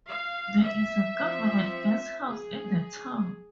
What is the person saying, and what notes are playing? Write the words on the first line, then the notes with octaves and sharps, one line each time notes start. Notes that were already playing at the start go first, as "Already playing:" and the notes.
There is a government guest house in the town.
F5
E5
F3 C4
G#4